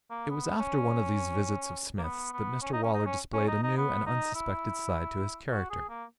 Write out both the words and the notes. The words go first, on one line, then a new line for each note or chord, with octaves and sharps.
It was after one of these visits of Psmith's that Mr Waller displayed a new and unsuspected side to his character.
A#3
B3
C#4
A#3
B3
B3
C#4
D#4
C#4
D#4
C#4
C#4
D#4
D#4
B3
D#4
E4
F#4
G#4
A#3